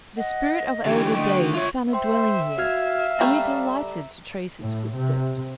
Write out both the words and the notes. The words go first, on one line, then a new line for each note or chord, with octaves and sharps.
The spirit of elder days found a dwelling here, and we delighted to trace its footsteps.
D#5 F#5
D3 E3 G4 G5
D3 A3 D#5
F#4
F4 C#5 E5
C5 E5 G5 C6
F#4 F5 F6 G#6
G3 A3 G#5 A#5
A2
C3